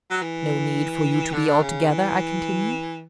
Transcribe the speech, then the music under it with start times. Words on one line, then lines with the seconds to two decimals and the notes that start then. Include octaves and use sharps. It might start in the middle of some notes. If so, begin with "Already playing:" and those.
"No need for you to be, altogether!" I continued.
0.10 F#3
0.22 E3
1.33 D3
1.62 C#3
1.89 E3